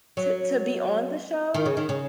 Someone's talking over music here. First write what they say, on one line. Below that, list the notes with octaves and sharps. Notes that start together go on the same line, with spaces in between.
To to be on the show?
F#3
D#3
C#3
D#3
C#3